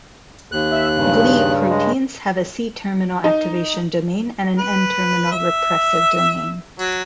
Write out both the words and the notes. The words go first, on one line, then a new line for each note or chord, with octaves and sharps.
Gli proteins have a C-terminal activation domain and an N-terminal repressive domain.
D#2 F#6
E5
G2 C#3
G#3
D#4
B4
E5
F#3